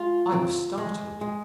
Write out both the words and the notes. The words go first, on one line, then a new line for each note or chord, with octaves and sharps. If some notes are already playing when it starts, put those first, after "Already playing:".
I was startled.
Already playing: G#3 F4
C4
G#3
G#3